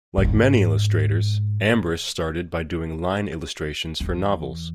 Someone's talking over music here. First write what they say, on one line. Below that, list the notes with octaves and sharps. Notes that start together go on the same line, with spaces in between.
Like many illustrators, Ambrus started by doing line illustrations for novels.
A2
G#2
E2